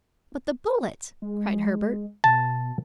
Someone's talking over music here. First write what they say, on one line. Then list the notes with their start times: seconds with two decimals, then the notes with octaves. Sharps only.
"But the bullet," cried Herbert.
1.22 G#3
2.24 B2 A5